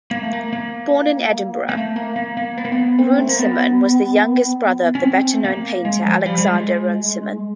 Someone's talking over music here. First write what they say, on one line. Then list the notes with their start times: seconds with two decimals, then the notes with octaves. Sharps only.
Born in Edinburgh, Runciman was the younger brother of the better-known painter Alexander Runciman.
0.11 A#3
0.22 A3
0.33 A#3
0.53 A#3
1.69 A#3
1.75 A3
1.96 A#3
2.16 A#3
2.37 A#3
2.57 B3
2.65 A#3
2.72 B3
2.98 C4
3.18 A3
3.29 A#3
3.39 B3
4.95 C#4
5.03 C4
5.33 A3
5.45 A#3
5.85 G#3
6.05 F3
6.26 G3
6.38 G3
6.46 G#3